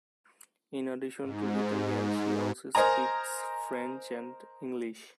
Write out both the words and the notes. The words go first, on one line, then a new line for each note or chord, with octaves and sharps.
In addition to Italian, she also speaks French and English.
G#2
A#4 C5 D#5 G#5 A#5